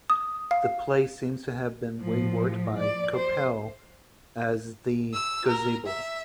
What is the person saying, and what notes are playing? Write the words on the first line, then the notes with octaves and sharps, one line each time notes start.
The play seems to have been reworked by Coppel as "The Gazebo".
D#6
F5
A2 F3
F3 D5
C5
E6
A#4
E5